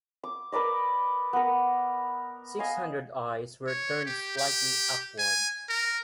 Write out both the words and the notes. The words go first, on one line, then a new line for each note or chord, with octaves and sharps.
Six hundred eyes were turned slightly upward.
D6
A#4 B4 D5 D#5
B3 A#4
D#5 F5 G#5 E6
C#5
G4
G4
G#5
A#4